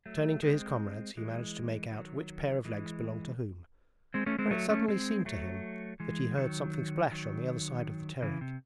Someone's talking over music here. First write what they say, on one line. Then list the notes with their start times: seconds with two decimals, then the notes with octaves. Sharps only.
Turning to his comrades he managed to make out which pair of legs belonged to whom, when it suddenly seemed to him that he heard something splash on the other side of the Terek.
0.06 F#3 A3
0.42 G#3 C4
1.17 E3 G#3
1.91 D#3 F#3
2.65 E3 G#3
4.14 G#3 C4
4.26 A3 C#4
4.39 G#3 C4
4.51 F#3 A3
4.69 A3 C#4
4.88 G#3 C4
5.26 F#3 A3
6.00 E3 G#3
6.37 D#3 F#3
7.11 D#3 F#3
8.22 C#3 E3
8.41 C3